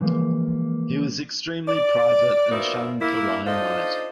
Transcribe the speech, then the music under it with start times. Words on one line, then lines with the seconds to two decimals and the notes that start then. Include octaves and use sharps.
He was extremely private and shunned the limelight.
0.01 D3 E3 F3 G#3 A#3
1.67 D5
2.51 B2 F3 A#3 D#4 D5 E5
3.01 A#3 E4
3.47 D4 D#4 F4 A4 C5 D#5